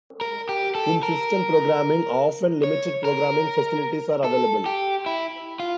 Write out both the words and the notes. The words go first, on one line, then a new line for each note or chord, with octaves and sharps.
In system programming, often limited programming facilities are available.
A#4
G4
A4
A#4
C#5
A#4
A4
G4
E4
F4